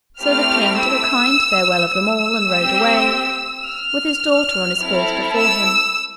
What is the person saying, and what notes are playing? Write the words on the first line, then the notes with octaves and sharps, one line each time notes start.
So the king took a kind farewell of them all and rode away, with his daughter on his horse before him.
A3 C4 E4 G4 F6
E6
E6
C4 G4
F6
C4 E4 A4
E6